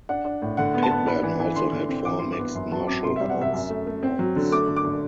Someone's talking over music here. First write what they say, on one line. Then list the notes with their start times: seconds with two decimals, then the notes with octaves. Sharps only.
Pittman also had four mixed martial arts bouts.
0.09 D4 F#5
0.25 D4
0.42 A2
0.57 D3 F#5
0.74 B3
0.83 A5
0.91 B3
1.06 D4 B5
1.23 E3
1.40 E3
1.56 D3 C6
1.73 D3
1.89 C4
2.05 E3 D6
2.19 G2 C6
2.32 D6
2.39 B3
2.55 F#2 C6
2.71 F#3 A5
2.87 C4 D6
3.04 C3 C6
3.16 G3 E5
3.30 F#5
3.38 C3 E5
3.53 F#2
3.70 A3
3.87 A3
4.03 C4
4.19 F#3
4.36 D3
4.52 A3 D6
4.68 D3
4.76 D6
4.85 D3